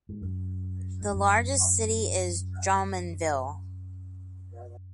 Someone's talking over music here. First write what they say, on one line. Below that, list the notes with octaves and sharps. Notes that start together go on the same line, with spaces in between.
The largest city is Drummondville.
G#2
F#2
G#2
F#2